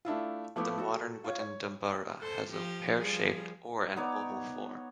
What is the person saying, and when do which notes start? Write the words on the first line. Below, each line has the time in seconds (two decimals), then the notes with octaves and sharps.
The modern wooden dumbura has a pear-shaped or an oval form.
0.05 A3 D4 E4 F4
0.56 F3 A3 B3 E4 D6
0.78 F#4 A4
1.24 F4 C#5
1.39 C#5
2.20 A4 C5
2.50 F3 G4
2.98 F3 G3 G#4
3.96 B3 D#4 C#5 D5